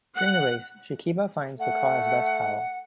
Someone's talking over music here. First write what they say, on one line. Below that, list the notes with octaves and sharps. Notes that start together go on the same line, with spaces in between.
During the race, Shikiba finds the car has less power.
F#5
A3 F#5